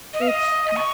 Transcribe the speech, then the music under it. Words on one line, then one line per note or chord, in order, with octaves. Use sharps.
it's I
D#5
F5
D#5
C#6